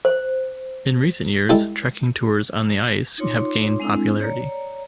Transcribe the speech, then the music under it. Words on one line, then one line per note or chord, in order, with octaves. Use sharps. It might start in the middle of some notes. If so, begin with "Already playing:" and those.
In recent years, trekking tours on the ice have gained popularity.
C5
G3 G#3 E4 A4 A5
D#4 F4 C#5 C6 D6
G#3 C4 D4 E4 A4
C#5 D5 A#5